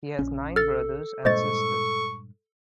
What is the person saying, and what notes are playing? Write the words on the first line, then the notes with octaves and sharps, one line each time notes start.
He has nine brothers and sisters.
A#1 C#4
A4 F6 A6
G2 A#2 G#3 C5 D#5 C#6 A6